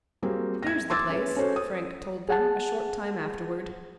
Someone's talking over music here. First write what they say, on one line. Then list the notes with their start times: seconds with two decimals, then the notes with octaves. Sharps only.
"Here's the place," Frank told them, a short time afterward.
0.22 F#3 G3 A#3 C4 G#4
0.63 G#6 A#6
0.90 C6 D6 E6 G#6 A6
1.10 C#4 G#4 B4
1.36 C#4 F#4 A4 C5 C#5
1.56 D#6
2.29 G#4 F#5 A5